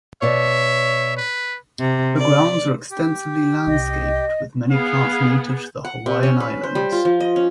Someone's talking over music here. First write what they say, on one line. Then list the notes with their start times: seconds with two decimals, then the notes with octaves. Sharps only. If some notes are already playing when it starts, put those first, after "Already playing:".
The grounds are extensively landscaped, with many plants native to the Hawaiian Islands.
0.22 B2 C#5 D5 E5
1.17 B4
1.79 C3
2.18 D5
2.91 G4
3.67 C2 D#5
4.71 B3 G#4 F5
5.85 F#5
6.06 C3
6.23 C#4
6.40 B4
6.63 C5
6.75 G3
6.92 F4
7.05 F3
7.20 D#5
7.36 C#4